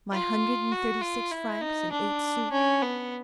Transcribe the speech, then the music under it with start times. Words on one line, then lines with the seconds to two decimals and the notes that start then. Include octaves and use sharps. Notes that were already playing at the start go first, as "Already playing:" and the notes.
My hundred and thirty-six francs and eight sous.
0.12 F4
0.72 F#4
1.01 F4
1.31 E4
1.61 D#4
1.92 D4
2.52 C#4
2.82 B3